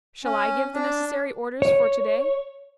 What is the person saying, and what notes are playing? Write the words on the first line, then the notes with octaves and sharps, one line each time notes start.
Shall I give the necessary orders for to-day?
C#4
D4
C#5